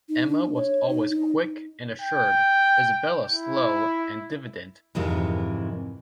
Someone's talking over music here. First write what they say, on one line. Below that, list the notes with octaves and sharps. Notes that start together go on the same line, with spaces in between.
Emma was always quick and assured; Isabella slow and diffident.
D#4
D4
C#5
D#4
D#4
G5
E4
F2 G#2 C3 D#3 E3